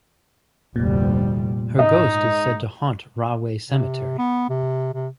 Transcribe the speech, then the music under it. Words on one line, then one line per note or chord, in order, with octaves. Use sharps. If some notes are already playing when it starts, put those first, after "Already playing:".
Her ghost is said to haunt Rahway Cemetery.
F1 D2 A#2 G3
G#2 D#4 D#5
C3
B3
C3
C3